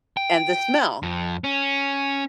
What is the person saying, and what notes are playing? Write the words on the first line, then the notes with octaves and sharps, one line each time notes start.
And the smell.
G5
F2
C#4